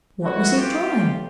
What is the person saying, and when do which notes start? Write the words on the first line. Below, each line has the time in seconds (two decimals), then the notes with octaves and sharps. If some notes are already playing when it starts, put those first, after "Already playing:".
What was he drawing?
0.23 F2 C3 E3 G3 E4 F#4
0.55 F4 G4
0.87 B2 F#3 A3